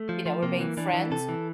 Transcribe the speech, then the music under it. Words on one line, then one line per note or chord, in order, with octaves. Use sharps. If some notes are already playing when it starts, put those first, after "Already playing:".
you know, remained friends.
Already playing: A3
F3
F3
C3 A#3
E3
E3 D4
E3
C3 A4
E3